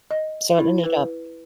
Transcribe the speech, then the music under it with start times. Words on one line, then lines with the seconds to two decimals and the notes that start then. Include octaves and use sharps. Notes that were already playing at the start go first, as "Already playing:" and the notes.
So it ended up
0.11 D#5
0.58 E4
0.84 B4